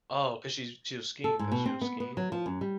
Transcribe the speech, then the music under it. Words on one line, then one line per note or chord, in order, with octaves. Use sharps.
Oh, 'cause she's she was skiing 'cause she was skiing?
A4
G#2
B2
C4
B3
B3
F#3
F3
F#2
G3